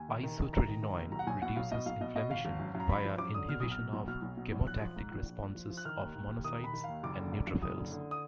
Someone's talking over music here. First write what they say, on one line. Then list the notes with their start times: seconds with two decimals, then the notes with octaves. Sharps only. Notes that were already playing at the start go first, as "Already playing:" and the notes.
Isotretinoin reduces inflammation via inhibition of chemotactic responses of monocytes and neutrophils.
Already playing: D#2 G#5
0.09 D#3
0.23 D#3
0.38 D#3
0.53 D#3 A#5
0.68 D#3
0.83 D#3
0.97 D#2
1.12 B1 A#5
1.19 F#5
1.27 B1 G#5
1.42 B2 F#5
1.56 B1 F5
1.71 B2 D#5
1.86 B1 F5
2.01 B2 D#5
2.16 B2 D#5
2.30 G#1 F5
2.45 G#1
2.59 F#2
2.75 F#2
2.80 A#5
2.89 G#1 B5
3.05 F3
3.18 F#2 D6
3.34 D3 D#6
3.48 B2 F6
3.60 B1 D#6
3.71 F6
3.78 B2
3.93 B1
4.07 B2 F6
4.22 B1
4.37 B2
4.52 B1
4.67 A#1 F#6
4.81 F3
4.96 G#2
5.11 A#1
5.26 A#1
5.41 A#1
5.55 F3
5.70 F3
5.77 F#6
5.85 D#3 F6
6.00 D#2
6.15 D#2
6.29 D#2
6.44 D#3 D#6
6.59 D#3 B5
6.73 D#3
6.84 D#2 F5
7.03 F#1 D6
7.18 D3
7.32 F#2
7.47 F#2
7.62 F#1 D#6
7.77 D3
7.92 D3
8.11 D#6